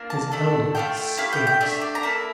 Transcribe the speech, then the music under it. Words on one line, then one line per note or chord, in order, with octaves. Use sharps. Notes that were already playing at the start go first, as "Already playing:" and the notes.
"His elder stinks."
Already playing: A#3 D4 F4
A5
A3 D4 A4
A3 C4 F4 A4 G5
G5
A3 E4 G4 F5
G5
G5
A3 D4 G4 E5
D5
A#5
A#3 E4 A4 A5